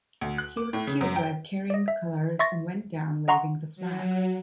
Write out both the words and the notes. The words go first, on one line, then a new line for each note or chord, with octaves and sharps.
He was killed while carrying the colors and went down waving the flag.
D2
F#6
D6
A2
C#3
F#2
G5
D5 D#5
E5
E5 C6 C#6 A6 A#6
D#5 F#5 A#5 C6 C#6
F#3